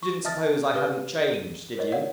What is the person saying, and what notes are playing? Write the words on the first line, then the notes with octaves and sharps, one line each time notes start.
"You didn't suppose I hadn't changed, did you?"
C#6
D#5 E5 A5 D#6 F6 A6
G4 B4 D#6 F6
D#7
A#4 C5 C#5 D#5
C#5 D5 F5 F#5